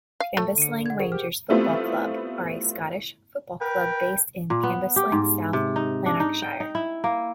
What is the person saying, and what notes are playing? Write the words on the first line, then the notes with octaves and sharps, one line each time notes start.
Cambuslang Rangers Football Club are a Scottish football club based in Cambuslang, South Lanarkshire.
F5
A3
D3 C#7 D#7
F#5 G#6
G#4 A#4 C5
G4 F6
G3 A3 B3 C4 E4 F4
A#4 B4 G5
A#2
B3
G4
G#2
C3
D#4
D4
D#4
G5
D#4
E4
A#3